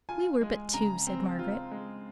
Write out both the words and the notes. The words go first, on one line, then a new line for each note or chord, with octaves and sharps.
'We were but two,' said Margaret.
F4 G#5
G#3
C#3 A#5
C4
F4
G#3